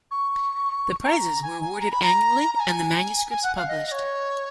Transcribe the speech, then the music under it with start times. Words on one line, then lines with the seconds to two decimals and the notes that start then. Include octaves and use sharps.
The prizes were awarded annually, and the manuscripts published.
0.11 C#6
1.05 A#5
1.43 G#5
1.62 G#5
1.81 A#5
1.92 B5
2.02 A#5
2.55 A#5
2.60 G#5
3.31 G#5
3.43 F#5
3.56 F5
3.68 D#5
3.87 D#5
3.92 C#5